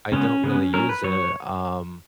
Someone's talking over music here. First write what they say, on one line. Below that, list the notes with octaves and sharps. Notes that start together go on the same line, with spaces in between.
I don't really use it, um,
C#3 G#3 B3 C#4
C#3 G#3 B3
F#3 C#4 A#4
B4
F#3 C#5